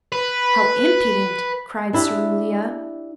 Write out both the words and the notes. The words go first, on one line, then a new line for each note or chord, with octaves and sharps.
"How impudent!" cried Cerulia.
B4
D4 E4 G4